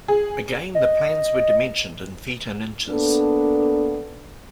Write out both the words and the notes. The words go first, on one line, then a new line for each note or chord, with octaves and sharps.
Again, the plans were dimensioned in feet and inches.
G#4
D#5
A#3 B3 D4 A4